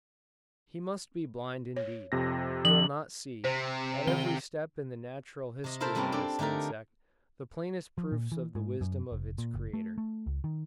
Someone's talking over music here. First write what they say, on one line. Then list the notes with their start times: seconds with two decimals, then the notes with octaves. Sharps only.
He must be blind indeed, who will not see, at every step in the natural history of this insect, the plainest proofs of the wisdom of its Creator.
1.77 C#5
2.12 F2 C3 A#6
2.65 F3 F#7
3.44 C3 C5
4.07 D#3 C4 G7
5.64 C3 D#5
5.80 E4 F4 A4 A#4 C5 E5
5.95 C3 G3 A#3 C4 C#4
6.12 D4 G4 A4
6.39 D3 A3 D#4 A4 A#4
7.98 F3
8.12 A#2
8.32 E3
8.55 G#2
8.81 F#2
9.12 F1
9.38 A#2
9.54 F#1
9.73 A3
9.98 A3
10.27 C#2
10.44 D#3